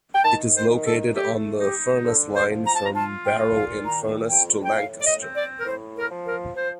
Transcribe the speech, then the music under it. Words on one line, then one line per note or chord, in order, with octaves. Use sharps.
It is located on the Furness Line from Barrow-in-Furness to Lancaster.
G5
D#3 A5
C5
D#3
A4
A3 G4
D#4 G4
D3 A4
C5
F3
A#5
A5
A#5
F4 A5
G5
A#2
F5
D#3 A#5
F2 G5
G5
A2 F5
D5
D#5
C4
D5
A#4
A2 C5
A#4
F3
A#4
F3 C5